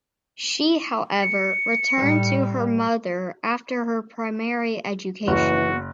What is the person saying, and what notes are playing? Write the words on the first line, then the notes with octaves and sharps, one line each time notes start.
She however returned to her mother after her primary education.
C#7
A2 G3
F#1 E3 F#4